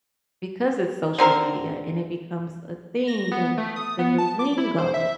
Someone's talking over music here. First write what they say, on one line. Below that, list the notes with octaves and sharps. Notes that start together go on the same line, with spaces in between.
because it's social media, and it becomes a thing, and the new lingo,
D3 C4 A#4
A#6
B3
A3
D#6
B3
A5
D6
E4
C5
E5